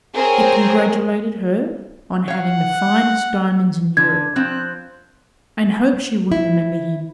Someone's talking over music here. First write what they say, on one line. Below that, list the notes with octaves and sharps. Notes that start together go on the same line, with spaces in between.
It congratulated her on having the finest diamonds in Europe, and hoped she would remember him.
C4 G#4 A#4 C5 C#5
C#5 F5 F#5
D3 G#6
F3 C4 F#6
E4